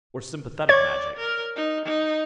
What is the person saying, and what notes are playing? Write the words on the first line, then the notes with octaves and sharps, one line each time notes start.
"Or sympathetic magic?"
C#5 D5 G#6
A#4
D#4
D#4